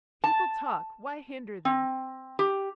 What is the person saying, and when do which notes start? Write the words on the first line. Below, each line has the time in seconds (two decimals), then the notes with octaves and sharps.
People talk, why hinder them?
0.24 A5
1.65 C4
2.39 G4